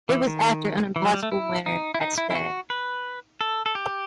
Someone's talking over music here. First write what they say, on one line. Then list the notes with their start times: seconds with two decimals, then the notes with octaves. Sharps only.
It was after an impossible winter at Ste.
0.09 E3
0.27 D#3
0.96 E3
1.05 F#3
1.13 G3
1.23 A3
1.32 E4
1.66 D#4
1.94 E4
2.01 D#4
2.18 E4
2.30 E4
2.35 F#4
2.70 B4
3.41 A4
3.66 A4
3.75 G4